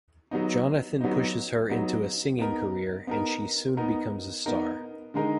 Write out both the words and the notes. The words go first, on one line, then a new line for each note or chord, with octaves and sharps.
Jonathan pushes her into a singing career, and she soon becomes a star.
F#3 B3 D#4
F#3 B3 D#4
F#3 B3 D#4
B3 D#4 A#4
B3 D#4 A#4
B3 D#4 A#4
B3 D#4 A#4
D3 G#3 D#4 A#4